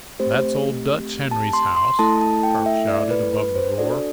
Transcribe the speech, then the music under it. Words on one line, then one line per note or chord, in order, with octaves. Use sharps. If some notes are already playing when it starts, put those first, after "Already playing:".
"That's old Dutch Henry's house," Park shouted above the roar.
A3 C4 G4 C5
A5
C6
C6
A3 E4 A4 A5
A5
G5
E5
D5
B4
B4
C5
D4 F#4 A4 D5